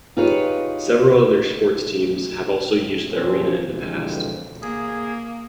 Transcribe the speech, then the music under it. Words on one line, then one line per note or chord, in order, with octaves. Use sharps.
Several other sports teams have also used the arena in the past.
D#4 F4 G4 G#4 B4 C#5
E2 B2 F3 A#3 C4 C#4
C2 F2 B2 D3 E3 G#3
A#3 G#4